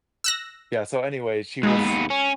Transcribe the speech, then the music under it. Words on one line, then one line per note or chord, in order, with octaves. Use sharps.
Yeah, so anyway, she was
E6 F#6 A#6
D#2 G#3 B3
C#4